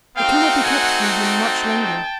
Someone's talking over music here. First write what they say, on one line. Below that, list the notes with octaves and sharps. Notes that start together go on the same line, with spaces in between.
It cannot be kept from him much longer.
A3 C4 D#4 F#4 F5 G5
F#5 G#5
G5 A5